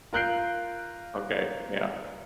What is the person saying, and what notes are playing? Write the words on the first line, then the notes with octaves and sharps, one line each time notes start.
Okay, yeah.
F4 A#4 F#6 G6 C7 D7